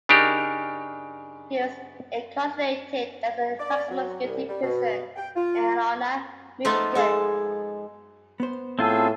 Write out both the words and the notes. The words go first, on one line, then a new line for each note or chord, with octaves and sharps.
He was incarcerated at a maximum security prison in Ionia, Michigan.
C#3 D4 D#4 G4 A#4
D5
F#3
C2
G3
B2
G5
F4
F3 A3 B3 D#4 F4
G#3 A4
B3 C5
A2 C4 F4 G#4 A5 E6